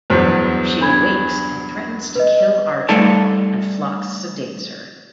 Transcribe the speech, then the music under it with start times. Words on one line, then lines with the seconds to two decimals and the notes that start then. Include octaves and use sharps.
She awakes and threatens to kill Archer, and Phlox sedates her.
0.10 E2 G2 F#3 C5
0.81 D4 B5 G#6
2.15 B4 D#5
2.89 G3 A3 D#4 A4 D5 A5